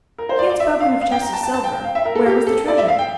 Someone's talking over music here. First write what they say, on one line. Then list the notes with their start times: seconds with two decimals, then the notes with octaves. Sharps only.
He had spoken of chests of silver--where was the treasure?
0.18 A#4
0.29 C5
0.39 D5
0.50 D5
0.60 E5
0.80 F5
1.01 F5
1.12 G5
1.22 A#5
1.33 A5
1.43 A5
1.54 A5
1.64 G5
1.74 G5
1.84 F5
1.95 E5
2.05 A#4
2.15 A4
2.26 G4
2.47 A4
2.68 D5
2.78 E5
2.88 F5
2.98 G5